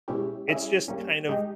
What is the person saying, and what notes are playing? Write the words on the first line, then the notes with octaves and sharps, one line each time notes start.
it's just kind of
B2 G#3 C#4 E4 G4
G3 C#4 E4 G#4
G3 A#3 C#4
G#3 D#4 G4